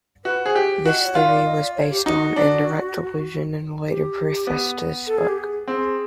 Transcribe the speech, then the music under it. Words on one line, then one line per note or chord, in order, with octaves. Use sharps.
This theory was based on indirect allusion in a later preface to this book.
F#4 B4
G#4 C5
G4
F#4 D#5
D5
C#5
F4
D5
D#5
D5
C#5
G4
D#4 F#4
D4
G4
B3
A4
G#4
G4
G#4
C4 G#4